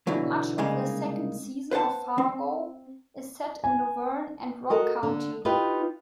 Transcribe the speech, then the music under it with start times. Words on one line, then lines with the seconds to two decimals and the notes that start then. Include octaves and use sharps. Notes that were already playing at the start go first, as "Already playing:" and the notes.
Much of the second season of "Fargo" is set in Luverne and Rock County.
0.07 B2 D3 E3 F#3
0.58 C2 C#3 G#3 A#3 D#4 G#4
1.71 B4 C5 F#5 A5
2.18 C4
3.64 G#5
4.70 F#4 A4 A#4 D#5
5.03 D3
5.45 D#4 F4 G4 B4